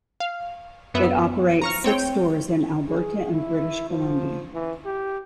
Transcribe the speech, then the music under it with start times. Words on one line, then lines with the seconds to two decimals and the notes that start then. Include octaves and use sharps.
It operates six stores in Alberta and British Columbia.
0.20 F5
0.94 F#2 B3 E5
1.62 A#5 C#6 F6
1.84 C4 C#5 G5
2.89 G#4
3.33 E4
3.90 F3
4.54 E3
4.85 G4